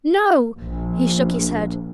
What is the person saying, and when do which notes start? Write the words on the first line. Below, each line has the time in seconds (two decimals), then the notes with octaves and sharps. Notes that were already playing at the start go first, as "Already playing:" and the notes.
"No," he shook his head.
0.57 A#1